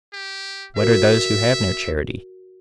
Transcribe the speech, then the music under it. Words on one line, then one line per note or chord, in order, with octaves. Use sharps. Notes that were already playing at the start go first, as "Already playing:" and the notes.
What are those who have no charity?
G4
F#4 A#4 E5